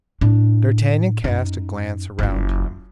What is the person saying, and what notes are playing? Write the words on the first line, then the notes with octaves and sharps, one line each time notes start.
D'Artagnan cast a glance around him.
A2 D4
F#2 D#4
F#1 F4